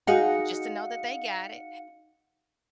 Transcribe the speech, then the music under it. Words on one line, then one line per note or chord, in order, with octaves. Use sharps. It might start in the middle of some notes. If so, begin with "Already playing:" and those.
just to know that they got it,
D#4 F#4 G#4 F5 F#5 C#7